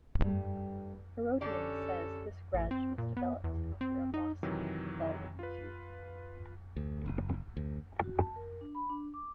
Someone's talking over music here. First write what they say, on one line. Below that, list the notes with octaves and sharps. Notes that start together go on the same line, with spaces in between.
Herodian says this grudge was developed after a lawsuit involving the two.
G2 G3 A3
D3 C#4 G4 A4 D5
A1
C4
A#2
B3
E2
C4
D#4
C3 D#3 E3 F#3
F4 B4
D2
F#1
D2
F#4
A5
A#4
D4
B5
D4
D6